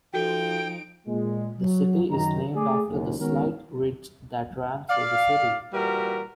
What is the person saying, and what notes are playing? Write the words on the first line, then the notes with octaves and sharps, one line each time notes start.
The city is named after the slight ridge that ran through the city.
F3 D#4 F#4 A4 G5 D7
A#2 G#3
F#3
F#2 D#3 A#5
A3 G#4 D5
F#1 D#2
D#3 G#3 B3 C#4 F#4 A#4
D5 F5
A#2 E3 G3 F#4 A#4